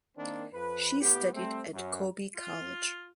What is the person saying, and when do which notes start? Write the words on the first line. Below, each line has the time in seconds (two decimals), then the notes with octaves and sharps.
She studied at Kobe College.
0.17 D#3 A#3 C4 D4
0.54 F2 B4
1.00 A2 B3 G4
1.33 G3 A3 C4
1.74 F#2
2.37 F4